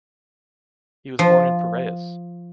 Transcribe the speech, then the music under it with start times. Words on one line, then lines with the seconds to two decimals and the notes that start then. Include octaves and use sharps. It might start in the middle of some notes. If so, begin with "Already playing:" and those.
He was born in Piraeus.
1.19 F3